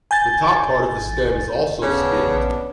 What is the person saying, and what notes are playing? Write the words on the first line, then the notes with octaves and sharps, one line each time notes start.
The top part of the stem is also skinned.
G#5 G6 A6
C#3 B3 C#4 D4